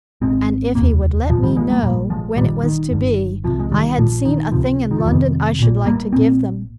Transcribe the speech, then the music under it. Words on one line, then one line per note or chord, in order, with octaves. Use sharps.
And if he would let me know when it was to be, I had seen a thing in London I should like to give them.
G#1 G#2 G#3 C4
F1 D#2 C#3 A#3
A#1 G#2 F3
D#3 G3
F3 G#3
G3 A#3
A#1 G#2 G3 A#3
F3 G#3
A#1 A#2 D#3 G3
D#3
G1 G2
C2 C3 F3
G#3
D#3 G3
A#1 A#2 F3
D#3
C#2 C3 F3
D#3
F3
F1 F2 C3 D#3 G3
A#1 A#2
G3 A#3
A#1 A#2 G#3 C4